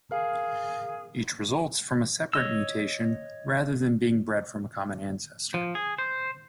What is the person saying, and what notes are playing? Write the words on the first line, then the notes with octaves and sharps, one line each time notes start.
Each results from a separate mutation rather than being bred from a common ancestor.
G#4 A#4 F5
C#5 D#5 E6
F3
G#4
C5